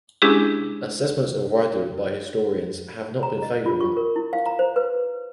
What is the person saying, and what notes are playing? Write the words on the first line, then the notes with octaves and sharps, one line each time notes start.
Assessments of Radu by historians have not been favorable.
G#3 C#4 D4 E4 G4 G#4
A#5
D#5
F4
C#6
A#4
E4
F5
A#5
C5
B4